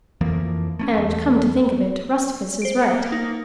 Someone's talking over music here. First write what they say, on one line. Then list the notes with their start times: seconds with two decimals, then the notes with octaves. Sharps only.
And come to think of it Rusticus is right.
0.21 F2 E3 F3 A#3
0.79 A3 A#3 C#4
0.93 E2 A3
2.62 C5 D7
2.82 A#3 C#7
3.12 D#4